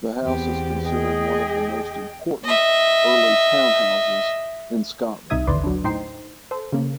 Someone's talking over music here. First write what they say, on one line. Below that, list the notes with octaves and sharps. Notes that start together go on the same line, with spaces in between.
The house is considered one of the most important early townhouses in Scotland.
E2 B3 C4 G4
G#4 D#5 G5
D#5 E5
C2 C3 D#4 E5 D#6 G#6
A1 D#2 D3 B4 D5 C6
F#3 D4
A2 D#4 C5 G5 C7
A4 C5
C#3 A#3